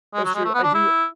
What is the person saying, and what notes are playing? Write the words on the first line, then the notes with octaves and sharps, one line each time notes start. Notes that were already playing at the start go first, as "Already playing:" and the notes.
That's true. I do
G#3
F#3
G#3
A3
B3
D4
E4